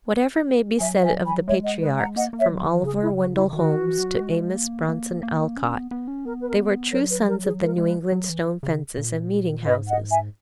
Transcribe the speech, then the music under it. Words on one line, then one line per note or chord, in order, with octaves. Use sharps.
Whatever may be said of the patriarchs, from Oliver Wendell Holmes to Amos Bronson Alcott, they were true sons of the New England stone fences and meeting houses.
F#3 E5 G#5
E5 G#5
G#5 B5
G#3 C#5 E5
D#5 F#5
B4 D#5
F#5 A#5
A#3 D#5 F#5
A#3
C#5 E5
F#3
E3
C#3 G#4
E4
F#4
E4
D#3 F#4
E3
F#3
G#3
A#3
A#3
A#3
C#4
B3
B3
C#4
B3 A#4
B4
A#4
F#3 A#4 C#5
B4
A#4
G#4
G#3 A#4
G#3
B4
F#3
E3
C#3
A#2
G#2 B4 D#5
D#5 F#5
E5 G#5